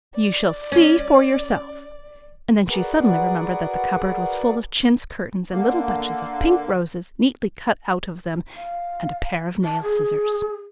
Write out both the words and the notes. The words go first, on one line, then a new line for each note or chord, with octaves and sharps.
"You shall see for yourself"--and then she suddenly remembered that the cupboard was full of chintz curtains and little bunches of pink roses, neatly cut out of them, and a pair of nail scissors.
D5
C#4
F#4 G#4 A#4 B4 D5 F#5
D3 A#3
F5
A5
G#4